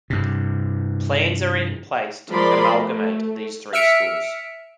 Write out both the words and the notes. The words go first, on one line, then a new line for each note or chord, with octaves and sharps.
Plans are in place to amalgamate these three schools.
G2 C3
F3 G#3 A#4 D5 B5 C6
A3
E5 E6 F6 B6 C#7 D7